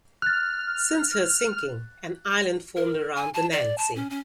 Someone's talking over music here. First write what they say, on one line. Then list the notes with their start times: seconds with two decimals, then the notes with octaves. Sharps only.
Since her sinking, an island formed around the "Nancy".
0.22 F6 F#6 A6
2.76 A#4
3.16 G#5
3.34 A5
3.52 D5
3.78 A5
3.95 C#4
4.10 C#4